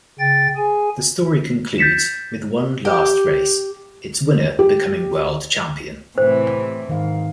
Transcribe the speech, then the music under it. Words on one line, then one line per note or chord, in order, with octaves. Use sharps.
The story concludes with one last race, its winner becoming world champion.
C#3 G5 A6
G#4 G#5
G6 A6 B6 C#7 E7
G4
G4
A2 C3 E3 C5
G#2 D#3 F5